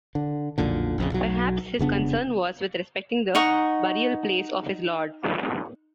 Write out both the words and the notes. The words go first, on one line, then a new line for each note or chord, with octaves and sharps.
Perhaps his concern was with respecting the burial place of his lord.
D3
B1 F2 A#2 D3
A#1 F2 C#3
B1 F#3
F1 C#3 B3 D4
D#4 F#5 C#6